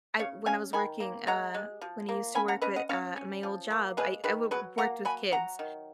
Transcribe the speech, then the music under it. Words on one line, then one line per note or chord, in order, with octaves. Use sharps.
I when I was working, uh when I used to work with, uh, my old job, I I wo w worked with kids,
C#3 C#5 F5
C#4 F5 G#5
D#3 G#5 B5
A#3
G#3 F#5 A#5
G#3
F3
A#3
C#4 G#5 B5
F#5 A#5
C#4 B4 D#5
D#5 F#5
C#4 C#5 F5
C#4
F3
A#3
G#3 G#4 B4
D#3 G#4 B4
F#3 G#4 B4
A#3 F#5 A#5
F#3 G#5 B5
F#3 F#5 A#5
D#3